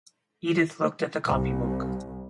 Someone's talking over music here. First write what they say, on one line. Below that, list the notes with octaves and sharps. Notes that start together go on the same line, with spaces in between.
Edith looked at the copybook.
C2